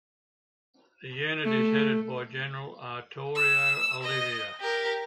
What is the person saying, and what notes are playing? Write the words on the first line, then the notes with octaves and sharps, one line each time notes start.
The unit is headed by General Arturo Olivar.
A3
E6
D#5
G4 A#4